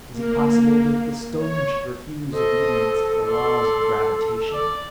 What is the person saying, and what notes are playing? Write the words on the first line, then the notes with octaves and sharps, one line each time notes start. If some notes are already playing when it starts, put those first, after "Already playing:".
Is it possible that the stone should refuse obedience to the laws of gravitation?
A#3
C#5
A4 C5 D#5
D5 C6
D5